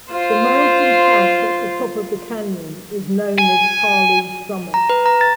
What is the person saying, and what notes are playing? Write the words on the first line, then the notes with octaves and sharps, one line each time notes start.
The mountain pass at the top of the canyon is known as Parley's Summit.
F4 C5
G#5
A#5
B4
A#5
A6